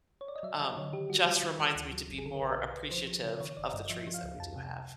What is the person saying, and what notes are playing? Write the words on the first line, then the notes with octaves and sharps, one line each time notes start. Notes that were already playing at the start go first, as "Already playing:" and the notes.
um, just reminds me to be more appreciative of the trees that we do have.
C#5
D5
D#5
F#3 E5
F#3 D#5
D3 C#5
D#3 G4
G3 F#4
G3 F4
D#3
D#3
D2
F#3
G1
G#4
D3 A4
A#4
B1 B4
B1
B4
B1
F3 C5
F3
C#3
D#3 C#5
G1 D5
G2 D#5
F3 E5
F3
F5
C#2
F2 A5
C3